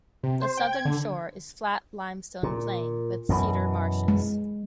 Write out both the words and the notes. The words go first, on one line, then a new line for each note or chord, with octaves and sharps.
The southern shore is flat limestone plain, with cedar marshes.
C3
C5
G5
G#6
D3
A#2
F#2 B2 E3
G#3